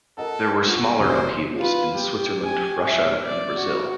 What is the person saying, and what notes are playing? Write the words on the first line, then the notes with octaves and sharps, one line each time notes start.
There were smaller upheavals in Switzerland, Russia, and Brazil.
A4 A#4 D#5 F#5
F3 G#3 F#4
F1 F#4 C5
F4 B4
G4
G4 G#5
E5
D5
F#4